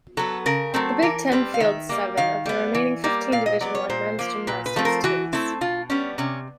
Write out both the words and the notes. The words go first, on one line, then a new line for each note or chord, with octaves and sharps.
The Big Ten fields seven of the remaining fifteen Division One men's gymnastics teams.
F#3 B3 A4
C#3 A#4
F#3 A3 C4
E3 A#4
G3 C4 B4
F5
D#3 E5
G3 A#3
D#3 F5
G3 B3
E3
G3 A#3
A#2 F5
D#5
F#3 B3 D5
C#5
A#2 C5
F3 A#3
A#2 B4
B4
F3 A3 C4
A#4
E3 F#4
A3 C4 E4
B2 F4
G3 B3 C#4
C3 C#4